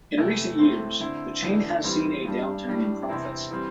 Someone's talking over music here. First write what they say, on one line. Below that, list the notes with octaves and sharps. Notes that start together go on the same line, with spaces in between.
In recent years, the chain has seen a downturn in profits.
E2 C3 A3 E4
A2 A3 C4
D3 C4 E4
E2 D3 A3 D4
E2 E3 G3 C4
G2 G3 D4
A2 G3 D4
E2 C3 E3 C4 E4
E3 G3 C4